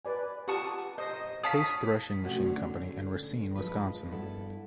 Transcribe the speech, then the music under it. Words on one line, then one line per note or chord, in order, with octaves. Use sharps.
Case Threshing Machine Company in Racine, Wisconsin.
B4 D5 G#5
F4 G4 F#5 A5 C#6 D#6
C5 D#5 D#6
C#5 F5 A5 D#6 B6
C3 F3 A3 C#4 F#4
D3 A3 C#4
F3 G#3 B4
G2 B3 E4 A4